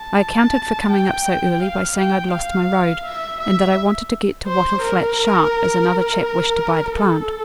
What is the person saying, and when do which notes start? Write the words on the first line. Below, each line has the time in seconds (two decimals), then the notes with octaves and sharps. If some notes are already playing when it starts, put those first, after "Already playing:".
I accounted for coming up so early by saying I'd lost my road, and that I wanted to get to Wattle Flat sharp, as another chap wished to buy the plant.
Already playing: A5
0.92 G5
1.62 F5
1.98 G5
2.33 F5
3.05 E5
3.41 E5
4.48 C5
4.83 A#4
6.25 A#4
6.96 A4